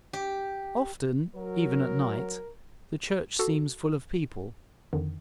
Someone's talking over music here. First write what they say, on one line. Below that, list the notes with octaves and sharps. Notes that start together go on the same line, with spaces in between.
Often, even at night, the church seems full of people.
G4
F#3 A#4
F#4 A4
F2 D3 D#3